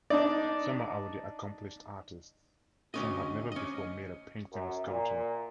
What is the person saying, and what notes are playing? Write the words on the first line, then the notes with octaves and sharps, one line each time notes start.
Some are already accomplished artists; some have never before made a painting or sculpture.
D4 D#4 D5
D2 C#4 D#5
C#4 D#5
F#2
A#2